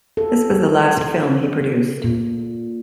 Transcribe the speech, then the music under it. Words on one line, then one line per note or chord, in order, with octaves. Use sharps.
This was the last film he produced.
A4
A#2